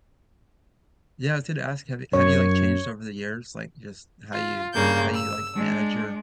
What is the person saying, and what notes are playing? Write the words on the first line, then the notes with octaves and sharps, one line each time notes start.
Yeah, I was gonna ask, have you have you, like, changed over the years, like, just how you how you, like, manage your
F#2 C#5
F4
G2 C#3 A#3 G6
E6
G#3 D4